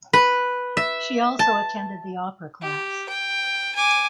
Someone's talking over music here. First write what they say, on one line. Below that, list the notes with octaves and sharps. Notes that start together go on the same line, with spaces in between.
She also attended the opera class.
B4
E5
A5
G4
G5
G#5 D6